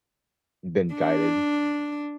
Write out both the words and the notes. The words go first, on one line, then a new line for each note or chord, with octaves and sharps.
been guided.
D4